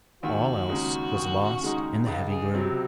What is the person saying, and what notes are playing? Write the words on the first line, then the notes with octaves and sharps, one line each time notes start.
All else was lost in the heavy gloom.
D#2 F#4
C#3 G#3 D#4
D#2
C#3 G#3 D#4
C#2 F4
G#4
C3 F#3 C4